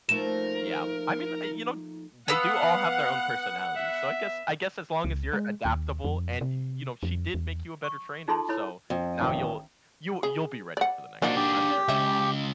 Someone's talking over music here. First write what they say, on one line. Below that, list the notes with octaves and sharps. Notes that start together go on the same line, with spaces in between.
Yeah, I mean, uh, y you know, they do all have their own personalities, so I guess I guess as long as you're adaptable, and you know, she did make you a better trainer, so now you'll you'll you'll be ready for the next one, I'm certain.
F3 A3 A#3 D#4 A#4 E7
B3 F5 F#5 E6
E5
C#2
G#3
D#2
F2
C3
F2
E2
C#6
D#4 F4 G#4 A4 A5 C6
E4 A4 B4 C#5 B5
F2
A1 D#3
G#4
D5 F#5
F3 A#3 D4 D#4 F#4 D5
D4 G4 G#4
C#2 C#5 D#5 E5